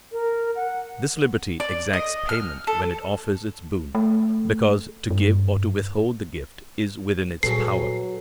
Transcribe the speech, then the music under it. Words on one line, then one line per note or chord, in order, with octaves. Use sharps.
This liberty exacts payment when it offers its boon, because to give or to withhold the gift is within its power.
A#4
F#5
D5
D#5
F6
A4
A3
G2
A#2 F#3 G3 G#4 A4 B4 C7